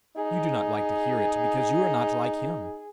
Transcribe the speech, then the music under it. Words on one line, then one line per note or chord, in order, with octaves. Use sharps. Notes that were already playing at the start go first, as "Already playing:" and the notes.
You do not like to hear it because you are not like him.
D#4 G#4